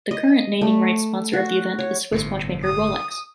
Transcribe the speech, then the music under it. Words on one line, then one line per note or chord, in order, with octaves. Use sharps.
The current naming rights sponsor of the event is Swiss watchmaker Rolex.
D#5
A3
F#4
C#5
G1 A2 C3
D#6